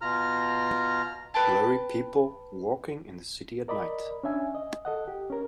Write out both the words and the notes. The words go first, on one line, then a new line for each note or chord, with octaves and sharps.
Blurry people walking in the city at night.
B2 F4 A#5 F6
B4 G5 A5
A#4 D5 D#5 B5
C#4 D4 E5 G#5
D#5
A4 D#5 F#5
G4
C#4 A#4